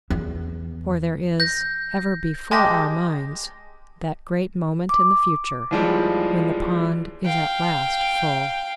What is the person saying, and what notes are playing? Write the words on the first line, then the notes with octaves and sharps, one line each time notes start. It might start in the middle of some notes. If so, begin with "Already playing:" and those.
For there is ever before our minds that great moment in the future when the pond is at last full.
E2
G6 A#6
G#3 G4 A5 A#6
D6
D#2 E3 F3 G3 G#3
F5 G5